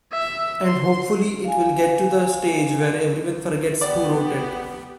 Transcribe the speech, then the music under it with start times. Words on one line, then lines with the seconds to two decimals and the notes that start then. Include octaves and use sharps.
And hopefully it will get to the stage where everyone forgets who wrote it.
0.12 E5
0.65 C6
1.45 F5 G#5
3.81 B3 G4 D5